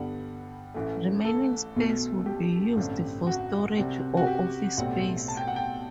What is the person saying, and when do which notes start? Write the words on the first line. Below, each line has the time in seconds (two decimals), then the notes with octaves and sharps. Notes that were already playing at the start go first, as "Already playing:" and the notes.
Remaining space would be used for storage or office space.
Already playing: G2 D3 G3 B3 F#5
0.74 A1 A2 E3 A3
1.25 A4
1.76 B1 B2 A3
2.26 G4
2.76 A1 G2 D3 A3 C4
3.27 F#4
3.77 C2 C3 G3 C4
4.17 F#4
4.27 G4
4.78 B1 A2 G3 C4 F#5
5.28 A5
5.37 G5
5.47 F#5
5.56 G5